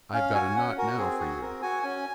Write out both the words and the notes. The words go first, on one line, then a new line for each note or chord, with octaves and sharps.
"I've got a knot now for you."
C#4 F5
F#4 G#5
C#4 F#5
F#4 A#4
C4 G#4
F#4 G#4
C4 A#4
F#4 G#5
C#4 G#5